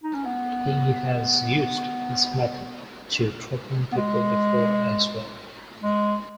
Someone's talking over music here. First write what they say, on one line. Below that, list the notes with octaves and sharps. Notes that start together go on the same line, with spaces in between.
He has used this method to threaten people before, as well.
D#4
C#4
B3
B3
G#3
G#3